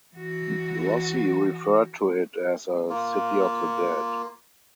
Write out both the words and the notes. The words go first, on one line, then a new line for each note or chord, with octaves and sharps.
Rossi referred to it as a "city of the dead".
E3 F#4
A#3 F4